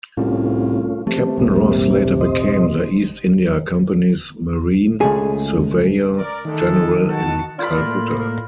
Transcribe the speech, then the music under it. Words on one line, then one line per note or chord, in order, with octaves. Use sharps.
Captain Ross later became the East India Company's Marine Surveyor General in Calcutta.
C2 A2 G3 A3 C#4 F4
C3 F3 A3
B1 E2 A2 G3 A#3
C5 D#5
C#2 F#2 A3 G#4
A#4 D5
D#3 G#3 A3 A4
F#4 A5
F4 D5 B5
A2 A3 A#3
A#4